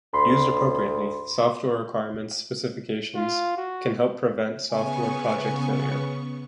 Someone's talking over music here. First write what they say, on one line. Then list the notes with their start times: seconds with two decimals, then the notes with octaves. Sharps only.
Used appropriately, software requirements specifications can help prevent software project failure.
0.14 D2 B5 C6
3.15 F4
3.57 F#4
4.71 C#3 B3 G#5 C#6